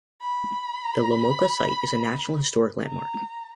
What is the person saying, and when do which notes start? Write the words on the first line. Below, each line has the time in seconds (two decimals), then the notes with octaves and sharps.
The Lamoka Site is a National Historic Landmark.
0.21 B5
2.85 A#5